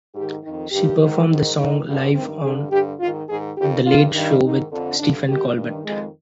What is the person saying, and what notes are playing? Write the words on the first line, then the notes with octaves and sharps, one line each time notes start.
She performed the song live on "The Late Show with Stephen Colbert".
G#2 D#3 G4
F2 D#3
G2 D#3 G4
G#2 D#3
G#2 D#3
G#2 D#3 D#4
G2 D3
G2 D#3 C4
G2 D3 G#4
G2 D3 G4
G#2 D#3 F4
G#2 D#3 G#4
F2 D#3 G4
G2 D#3 F4
G2 D#3
G#2 D#3 D#4
F2 D3
G2 D3 D4
G#2 D#3 G4
G2 D#3
F2 D#3 G#3